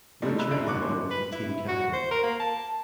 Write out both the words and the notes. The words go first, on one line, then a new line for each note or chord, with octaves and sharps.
Richard Lalla was the team captain.
F3 G3 A3 C4 D#4 D5
D5 E5 B5 E6 F#6
F#1 D2 D4 D#4 D7
C#6 D6 F#6 C#7
A#2 D#3 F3 G3 G#3
B4
E4
F#4
C5
A#4
A#3
A5